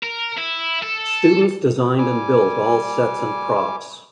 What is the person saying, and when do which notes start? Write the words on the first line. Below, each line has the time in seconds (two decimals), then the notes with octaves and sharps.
Students designed and built all sets and props.
0.03 A#4
0.38 E4
0.83 A4
1.98 G3 G#5 D6